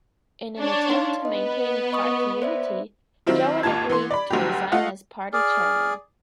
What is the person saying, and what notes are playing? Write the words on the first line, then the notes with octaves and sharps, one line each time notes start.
In an attempt to maintain party unity, Jowett agreed to resign as party Chairman.
D4 C#5
D#4 F5 C6
B3 B4 D#5
D#5 C#6 D#6
C5 D5 E5
D#3 F#3 C4 E4 F4
G#1 D#2 F4 A5 G#6
E3 B3 C6
D5 B5
F1 D2 F#3 G3 G4
A3 F4 D#5 F5 F#5
G#4 D5 F6